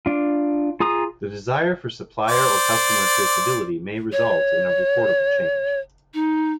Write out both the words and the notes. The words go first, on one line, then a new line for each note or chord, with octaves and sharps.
The desire for supplier or customer traceability may result in a reportable change.
D4 F4
F4 G#4 A#5 D#6
C5 D5
C#5
D#4